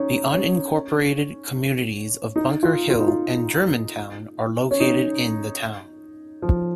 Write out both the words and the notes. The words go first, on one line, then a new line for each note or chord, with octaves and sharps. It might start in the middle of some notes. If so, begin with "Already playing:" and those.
The unincorporated communities of Bunker Hill and Germantown are located in the town.
Already playing: C#4 D#4
C#4
D#4
F4
F4
D#4
F4
C#4
D#4
F3